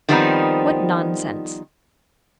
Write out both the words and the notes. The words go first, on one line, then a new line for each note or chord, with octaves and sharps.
What nonsense!
D#3 F3 G3 B3 C4 D#4